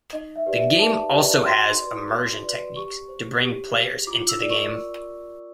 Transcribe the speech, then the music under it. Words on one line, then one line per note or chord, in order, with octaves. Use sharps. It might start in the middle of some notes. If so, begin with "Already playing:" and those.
The game also has immersion techniques to bring players "into the game".
D#4 D#5
E5
G4 B4 D5
E5
D#4 A5
G4 B4 D5 A#5
F#4 C6
B4 D5
F#4
B4 D5
G4 C#6
C5
G4
C5
F4 D6
E6
A#4 D5
C#6